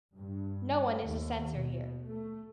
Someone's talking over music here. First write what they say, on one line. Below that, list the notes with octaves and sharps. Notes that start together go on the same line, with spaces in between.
No one is a censor here.
G2
D#2
B2
A3